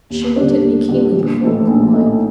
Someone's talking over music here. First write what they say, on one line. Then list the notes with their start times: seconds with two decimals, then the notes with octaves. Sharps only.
She looked at me keenly before replying.
0.10 D#2
0.36 D3 G3 D4
0.62 D#2
0.89 D3 G3 D4
1.14 A#1
1.41 A2 A3 D#4 A4
1.67 A#1
1.93 A2 A3 D#4 A4